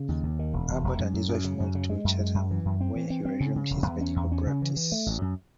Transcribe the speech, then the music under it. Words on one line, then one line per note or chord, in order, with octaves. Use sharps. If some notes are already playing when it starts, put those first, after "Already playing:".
Abbott and his wife moved to Chatham where he resumed his medical practice.
Already playing: C#3
D#2
D#2
D#3
E1
E1
E1
F#2
F#2
F#2
C#3
F#2
C#3
G#3
F#2
G#3
F#2
E3
F#2
C4
E3
C4
C4
C#3
C#3
E1
E2
C#4
E2
C#4
C#3
E3
E3
A3
A1
F#2